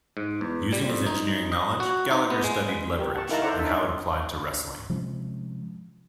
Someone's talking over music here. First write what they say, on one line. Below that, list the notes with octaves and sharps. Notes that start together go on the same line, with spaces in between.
Using his engineering knowledge, Gallagher studied leverage, and how it applied to wrestling.
G#2
E2
G3
F2
D#4
D#5
F#4
D#4
B3
G#3
G4 A#4
F#5 A5 C#6
D#4 E4 A#4 F5 A5 A#5
A4 C5 D5 F#5 A#5 C#6
D4 D#4 A4 E5
D#4 C#5
C3 F3 G#3 C#4